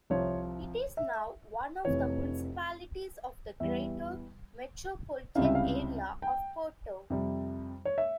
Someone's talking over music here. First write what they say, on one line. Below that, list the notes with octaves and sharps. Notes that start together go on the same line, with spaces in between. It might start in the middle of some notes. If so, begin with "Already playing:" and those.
It is now one of the municipalities of the Greater Metropolitan Area of Porto.
C2 C3 F3 C#5
E5
F1 F2 E3 C#5
E2 E3 G3 E5
C#2 C3 G3 C#4 E4 F5
E5
F5
G5
F2 C3 G3
C#5
E5